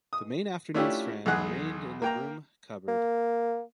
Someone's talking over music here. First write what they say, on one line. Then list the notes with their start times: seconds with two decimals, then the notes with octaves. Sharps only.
The main afternoon strand remained in the Broom Cupboard.
0.13 D#6
0.74 A3 C#4 D4 E4 F4 G4
1.26 B1 E2 G#4 F#5 F#6
2.02 A#3 G5 A#5
2.88 A#3